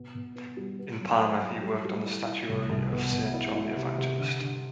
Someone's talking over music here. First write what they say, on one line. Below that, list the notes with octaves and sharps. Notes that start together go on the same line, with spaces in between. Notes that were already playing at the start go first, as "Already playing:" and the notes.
In Parma he worked on the statuary of Saint John the Evangelist.
Already playing: B2
B2
B3
G3
B3
F#3
C5
F#3
G3
G3
E4
E4
C2
C2
B2
B2
E4
E4
C3
C3
D3
D3